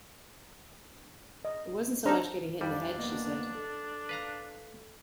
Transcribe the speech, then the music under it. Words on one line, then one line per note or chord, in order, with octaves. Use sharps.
"It wasn't so much getting hit in the head," she said.
D#5
D4 D#4 A4 C5 F5 A#5
F2 G3 D4
A#3 B3 D#5
A4
B4 F5 A#5